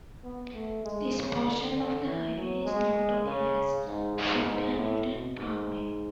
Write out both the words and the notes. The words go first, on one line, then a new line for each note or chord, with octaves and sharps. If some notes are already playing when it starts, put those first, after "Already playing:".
This portion of the Highway is known today as Fort Hamilton Parkway.
B3
A3
G#3
C#3
D3
D3
E3
F#3
G#3
C#3
G#2
G#2
G#2
A2
B2
G#2